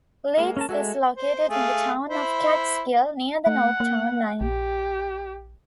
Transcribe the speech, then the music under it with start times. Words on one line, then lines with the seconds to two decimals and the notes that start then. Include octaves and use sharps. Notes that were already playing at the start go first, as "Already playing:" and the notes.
Leeds is located in the town of Catskill, near the north town line.
0.37 G#3 A#3
0.57 C#4 A#4 A5
0.69 G#3 F#4 A4 E5
1.17 C5
1.50 A3 G#4 F5
2.10 E4 C5 B5
3.47 A3 F#5
3.80 A#3
4.41 A#1 G4